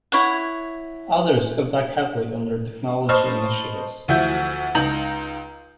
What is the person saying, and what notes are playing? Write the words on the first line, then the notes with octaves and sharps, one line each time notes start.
Others cut back heavily on their technology initiatives.
E4 C#5 F#5
C5 D#5 A5 B5 C#6 F6
D2 E3 F3 F#4 E5 G6
C#2 D#4 A#5 G6 F#7